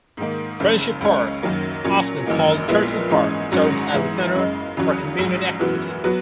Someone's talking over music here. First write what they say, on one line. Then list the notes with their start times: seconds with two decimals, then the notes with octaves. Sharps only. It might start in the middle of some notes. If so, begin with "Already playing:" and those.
Friendship Park, often called Turtle Park, serves as a center for community activity.
0.17 G#2 D#3 A#3
0.60 F#1 F#2 C#3
1.01 C#2 C#3 G#3 C#4
1.42 F#2 D#3 F#3 A#3
1.84 A#2 F#3 C#4
2.26 G#1 F#2 E3 A#3 D#4
2.68 A#1 A#2 G#3 B3 E4
3.10 G#2 E3 G#3 C#4
3.52 G#1 G#2 F#3 C#4 F#4
3.93 G#2 E3 B3 E4
4.35 F#2 C#3 G#3
4.77 E2 C#3 F#3 C#4 F#4
5.19 A#1 G#2 F#3
5.59 F#2 E3 B3 F#4
6.04 F#3 B3 F#4